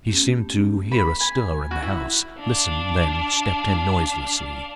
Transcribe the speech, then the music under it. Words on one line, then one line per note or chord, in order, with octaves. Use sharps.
He seemed to hear a stir in the house--listened--then stepped in noiselessly.
A3 B3 C#4 G4
B5
G#5
F#4
E4
D4 F5